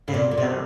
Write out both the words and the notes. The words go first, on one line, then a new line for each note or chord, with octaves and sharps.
and uh
A2
A#2
A#2
C3